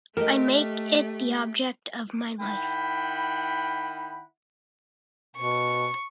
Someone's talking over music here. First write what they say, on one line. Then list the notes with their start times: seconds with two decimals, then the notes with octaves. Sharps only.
I make it the object of my life.
0.17 A3 G4 A4 A#4 D#5
2.40 D#3 E4 F#5 G5 B5
5.36 B2 C#6